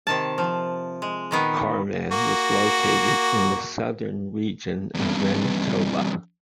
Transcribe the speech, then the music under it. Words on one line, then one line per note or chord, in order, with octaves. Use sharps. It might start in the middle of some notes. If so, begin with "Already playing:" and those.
Carman was located in the southern region of Manitoba.
C3 D#3 A5
F3
G#3
A#2 D#3 B3
A#3 F#4
E2 G2